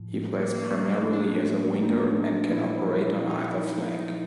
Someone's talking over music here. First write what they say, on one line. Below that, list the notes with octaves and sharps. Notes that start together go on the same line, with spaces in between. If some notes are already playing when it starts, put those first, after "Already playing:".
He plays primarily as a Winger and can operate on either flank.
Already playing: A2 F3
A#3
A#3
A3
A#3
D4
D#4
A#2 F3 E4
D#4
E4
D#4
D#4